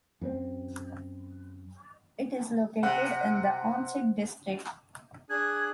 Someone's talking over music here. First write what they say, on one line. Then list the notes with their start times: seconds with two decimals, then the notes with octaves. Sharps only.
It is located in the Ahuntsic district.
0.21 F#2 B3 C4
2.83 C3 F#5
5.30 D4 G#4 F#6 G#6